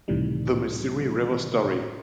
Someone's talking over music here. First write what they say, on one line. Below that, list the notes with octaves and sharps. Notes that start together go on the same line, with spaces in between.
The Missouri River Story.
C#2 A2 C3 D#3 E3 G3